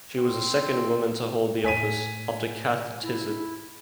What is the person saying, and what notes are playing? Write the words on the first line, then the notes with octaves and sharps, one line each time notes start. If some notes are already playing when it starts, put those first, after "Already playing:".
She was the second woman to hold the office, after Cath Tizard.
C4
A2 G#5 B6 D#7
E4